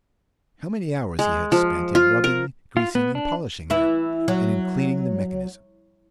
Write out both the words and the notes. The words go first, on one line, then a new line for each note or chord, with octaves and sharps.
How many hours he had spent, in rubbing, greasing, and polishing them, and in cleaning the mechanism!
G#3
F3
F4
A#4
F4
B3
D4
E3 E4
F#3